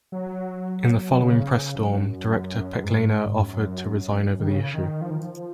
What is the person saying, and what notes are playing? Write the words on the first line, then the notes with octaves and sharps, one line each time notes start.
In the following press storm, director Pechlaner offered to resign over the issue.
F#3
C#3
F#2
G#2
F#2
D#3
C#3
D#3
F3
D#3
F3